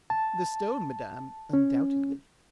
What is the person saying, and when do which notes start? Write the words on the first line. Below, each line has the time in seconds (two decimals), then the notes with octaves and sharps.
"The stone, madam, undoubtedly."
0.10 A5
1.53 C#4